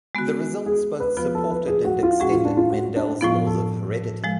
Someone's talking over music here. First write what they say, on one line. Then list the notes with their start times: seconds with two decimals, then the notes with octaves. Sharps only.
The results both supported and extended Mendel's laws of heredity.
0.15 G#3 B3 F#4
0.66 G#4
1.00 B4
1.17 F3 B3 F4 B4
1.35 A4
1.51 B4
1.68 G#4
1.85 F#4
2.03 F4
2.20 A2 G#3 C#4 F#4 G#4
2.32 F4
2.45 D4
2.57 F4
2.70 F#4
2.96 D4
3.21 A2 F3 B3 F4
3.47 A4
4.24 F3 G#3